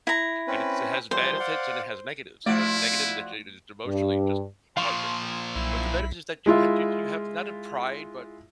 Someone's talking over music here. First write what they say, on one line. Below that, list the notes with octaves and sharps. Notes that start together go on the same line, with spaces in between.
and it's it has benefits, and it has negatives, you know, negative is a change that it's emotionally just heartbreaking, but the benefit is that you had you you have not a pride, but
E4 A#5
C4 C#4 B4
E3 F3 G3 C5
D5 F5 F#5
F3 A3 E4 F#4 D5
G2
A#2 F3 F5 C6 C#6
B1 E4
G#3 E4 F4 E5